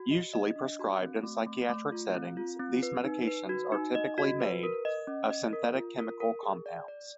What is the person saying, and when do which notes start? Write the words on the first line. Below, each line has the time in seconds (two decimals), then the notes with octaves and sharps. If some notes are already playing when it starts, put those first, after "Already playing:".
Usually prescribed in psychiatric settings, these medications are typically made of synthetic chemical compounds.
Already playing: F#4
0.11 D#5
0.33 D#5
0.56 D4
0.79 F#4
1.02 C4
1.23 A3
1.46 A3
1.69 A3
1.92 F4
2.15 C4
2.37 F4
2.59 C4
2.83 B4
3.04 D#4
3.27 B4
3.49 F#4
3.72 D#4
3.95 D#5
4.18 F#4
4.40 B4
4.63 A#4
4.85 D#5
5.07 C#4
5.30 D#5
5.53 A#4
5.75 F4
5.98 A#4
6.20 A#4
6.43 G#4
6.66 D5
6.88 D5